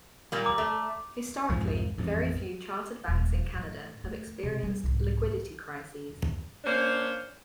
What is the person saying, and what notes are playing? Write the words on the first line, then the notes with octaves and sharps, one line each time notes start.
Historically, very few chartered banks in Canada have experienced liquidity crises.
A#2 G3 A#3
A#5 D6
A3
C2 F2 G#2 F3
A1 F2
D#1
A2
A3
C3
G3
C2 G#2
A#3 C#4 D4 C5